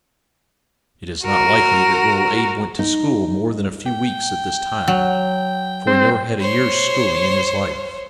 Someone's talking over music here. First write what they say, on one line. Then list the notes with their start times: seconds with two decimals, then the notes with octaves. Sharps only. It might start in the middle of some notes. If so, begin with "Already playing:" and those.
It is not likely that little Abe went to school more than a few weeks at this time, for he never had a year's schooling in his life.
1.24 F#4 A#4
2.79 D#4
3.86 G5
4.88 F#3
5.87 C4 C5
6.41 C5 C#5